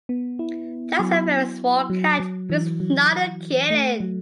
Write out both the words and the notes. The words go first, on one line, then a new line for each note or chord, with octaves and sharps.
That's a very small cat, but it's not a kitten.
B3
E4
F#3
F#3
F#3
E3
F#3
A3
F#3